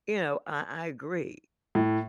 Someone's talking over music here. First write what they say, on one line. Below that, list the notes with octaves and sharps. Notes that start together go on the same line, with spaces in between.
you know, I I agree,
A2